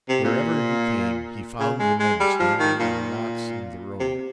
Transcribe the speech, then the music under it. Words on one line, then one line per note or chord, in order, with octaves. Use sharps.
Wherever he came he found the men standing in knots in the road.
C3
A#2
C#3
G#3
G#3
G3
F3
D#3
A#2
C3